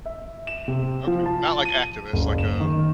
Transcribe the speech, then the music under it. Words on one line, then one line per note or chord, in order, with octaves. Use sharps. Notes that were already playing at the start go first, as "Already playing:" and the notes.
Okay, not like activists like a
E5
E7
C3
F3
A5
D#7
F#1
E7
D#3